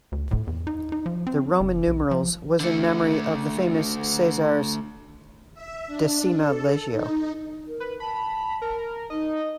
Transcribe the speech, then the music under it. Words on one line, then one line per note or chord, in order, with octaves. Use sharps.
The roman numerals was in memory of the famous Caesar's Decima Legio.
D2
A2
E2
D#4
D#4
F3
C4
F#1
B1
F3
D3 A3
E5
D4
A4
D#4
A#4
B4
A5 B5
A#4
D#4 D#5